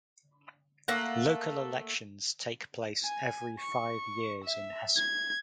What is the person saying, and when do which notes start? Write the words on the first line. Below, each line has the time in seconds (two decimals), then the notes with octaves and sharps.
Local elections take place every five years in Hesse.
0.88 A3 A#3 F#5
3.04 G#5
3.60 C#6
4.44 E5
4.97 G#6